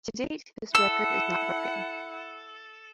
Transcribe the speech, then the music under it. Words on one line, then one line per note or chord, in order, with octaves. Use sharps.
To date, this record is not broken.
E4 A4 F#5 E6